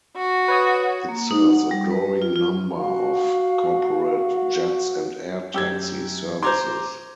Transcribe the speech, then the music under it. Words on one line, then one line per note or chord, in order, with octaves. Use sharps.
It serves a growing number of corporate jets and air taxi services.
F#4
B4 C#5 D#6
A#3
D#4
F#5
G3
B4
F4
F4
F#4 F5
F#2 G4 E6 G#6
C5 A#5 C6 D6 G#6